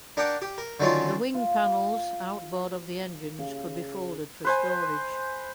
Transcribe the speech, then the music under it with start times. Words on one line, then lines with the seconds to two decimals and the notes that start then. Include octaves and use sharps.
The wing panels outboard of the engines could be folded for storage.
0.17 D4 A#4 F#5 G5 D6
0.42 G4
0.58 A#4
0.80 D3 D#3 F#3 C#4 F4
1.34 F4
3.39 C#3
4.45 B4 C5 G#5